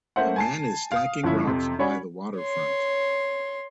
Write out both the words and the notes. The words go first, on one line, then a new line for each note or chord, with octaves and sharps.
A man is stacking rocks by the waterfront.
A3 A#3 C#4 C5 E5 F#5
G#5 A5 C7
F5 D#6
G1 F3 C#4 E4
F2 C3
C#4 F#4 C#5 D5 G#5 B5
C#5 C6